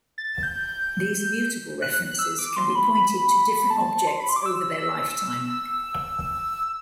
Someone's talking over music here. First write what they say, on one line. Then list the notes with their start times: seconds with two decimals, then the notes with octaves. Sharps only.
These mutable references can be pointed to different objects over their lifetime.
0.18 A6
0.43 G6
1.82 F#6
2.11 F#6
2.19 E6
2.39 D6
2.57 C6
2.75 B5
2.95 B5
3.70 A5
4.07 C6
4.20 B5
4.29 C6
4.36 D6
4.46 E6